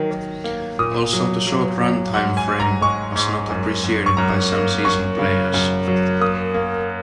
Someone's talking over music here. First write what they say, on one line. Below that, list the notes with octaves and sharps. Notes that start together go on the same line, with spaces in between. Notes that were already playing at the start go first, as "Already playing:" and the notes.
Also the short run time frame was not appreciated by some seasoned players.
Already playing: D#3 F#3
D#3
A#3
A#2 D#6
F#3
F#3
F#3
G#2 F#5
G#5
G#2
A#5
G#3 C#6
G#2
F#2
F#2
C#6
F#2 A#5
A#3
F#2 C#6
C#3
F#2
F#3
A#3 D#6
A#3